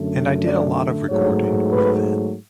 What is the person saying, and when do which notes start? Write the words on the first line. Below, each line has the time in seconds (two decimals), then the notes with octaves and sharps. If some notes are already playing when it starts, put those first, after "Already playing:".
And I did a lot of recording with that.
Already playing: F#2 D3 A3
0.45 D5
1.09 G#2 F#3 A3 C#5
1.71 B4